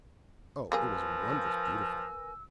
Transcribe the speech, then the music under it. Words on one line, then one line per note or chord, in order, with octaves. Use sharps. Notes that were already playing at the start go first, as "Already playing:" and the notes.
Oh, it was wondrous beautiful!
F3 G3 A#3 G#4 A#4 B4 G#5 E6